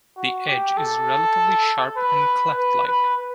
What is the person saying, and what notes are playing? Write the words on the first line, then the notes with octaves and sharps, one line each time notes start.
The edge is relatively sharp and cleft-like.
F#4
G4
A4
B4
B4
B4